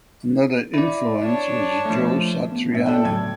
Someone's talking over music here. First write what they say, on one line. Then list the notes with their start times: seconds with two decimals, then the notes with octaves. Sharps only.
Another influence was Joe Satriani.
0.74 E4 D5
1.22 D4 C#5 D5 A5
1.85 F3 A3
2.52 B3
2.72 A2 E5
2.86 A4 D5 G5
3.05 A2 C#3 F#3 G#6